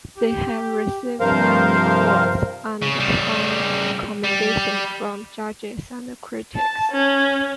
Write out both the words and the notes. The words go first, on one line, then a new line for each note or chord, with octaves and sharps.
They have received many awards, and high commendations from judges and critics.
G4
G2 C3 F3 A#4 C5 F5
C#3
C#3 G3
G3
A5
C#4